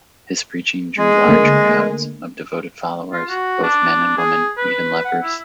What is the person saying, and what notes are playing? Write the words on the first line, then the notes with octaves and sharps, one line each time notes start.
His preaching drew large crowds of devoted followers, both men and women, even lepers.
G#3
D3 A3 A#3
F4
F#4
D4
G#4
B4
F#5
E4